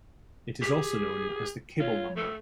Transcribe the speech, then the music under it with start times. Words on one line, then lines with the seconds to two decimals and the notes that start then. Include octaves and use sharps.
It is also known as the Kibel number.
0.62 G4 G#4
1.80 F4 C#5
2.16 A3 A4